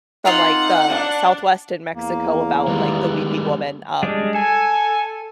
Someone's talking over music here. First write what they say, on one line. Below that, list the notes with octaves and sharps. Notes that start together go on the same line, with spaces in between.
from like the southwest in Mexico about like the weeping woman, um,
A#3 C4 D#4 F4 F#5 C6
D4
E2 A#3
D#3 G3 G#3 B3
G3 G#3 D4
A4 G#5